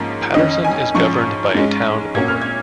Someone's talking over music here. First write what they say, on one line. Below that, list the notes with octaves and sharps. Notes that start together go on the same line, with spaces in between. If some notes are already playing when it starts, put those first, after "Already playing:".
Patterson is governed by a town board.
Already playing: G#2 F3 A#3 C#4
F2 D#3 C#4 D#5
G#5
G#2 F3 C#4 C#6
G#2 G#3 C#4
A#2 A#3 C#4 G#6
F6
G#6